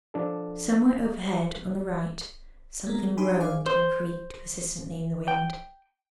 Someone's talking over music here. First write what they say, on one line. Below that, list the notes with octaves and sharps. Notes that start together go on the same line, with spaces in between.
Somewhere overhead on the right, something groaned and creaked persistently in the wind.
F3 D4 A4
G#3 A#3 B3 A#4
D4 D#4 G4 G#5 B5 C6
G#4 C5 D5 F5 G#5 D6
C5
G5